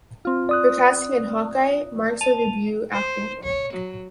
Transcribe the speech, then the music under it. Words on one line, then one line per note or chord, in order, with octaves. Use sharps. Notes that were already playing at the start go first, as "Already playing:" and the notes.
Her casting in "Hawkeye" marks her debut acting role.
C4 F4
D5 D#6 F#6
A5 D#7 F7
C5
C#5
F#3